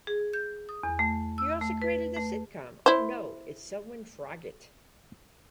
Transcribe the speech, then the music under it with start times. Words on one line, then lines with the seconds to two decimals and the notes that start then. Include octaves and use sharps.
He also created the sitcom Oh No, It's Selwyn Froggitt!
0.07 G#4
0.33 G6
0.69 D#6
0.83 E2
0.99 A3
1.38 E6
1.61 A3
1.82 B4
2.17 A3
2.86 E4 C5